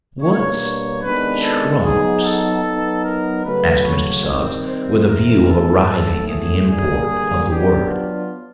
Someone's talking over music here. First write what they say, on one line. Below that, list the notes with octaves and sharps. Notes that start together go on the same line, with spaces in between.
"What's trumps?" asked Mr. Suggs, with a view of arriving at the import of the word.
B2 G3 A#3 D4 C#5
C#5
C3 D#3 G#3 B3 D4 B4
A4
F#3 B3 D#4 G#4
A4
F#3 B3 D#4
A#4
C#3 F#3 A3 B4
C#5
C3 D#3 G3 C4
C5
E3 A3 C4 A#4
A4
A2 F#3 A3
G#4
D3 G3 A#3 D4 G#4
F#3 B3 D4 G4
F4